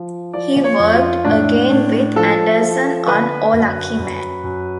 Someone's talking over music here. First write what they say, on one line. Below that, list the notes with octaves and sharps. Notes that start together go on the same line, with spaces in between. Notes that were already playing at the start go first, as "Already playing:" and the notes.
He worked again with Anderson on O Lucky Man!
Already playing: F3
F3 D5
C#5
F2
F4
A2 D4
A2
F3 A4
F3
D3 B4
F#2
F#2
F#2